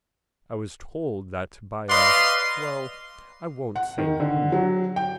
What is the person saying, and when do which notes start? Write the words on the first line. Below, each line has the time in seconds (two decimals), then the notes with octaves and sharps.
I was told that by a--well, I won't say who.
1.89 B4 D5 D#5 F5 C6
3.76 F#5
3.98 D#3
4.20 D3
4.52 F#3
4.96 G5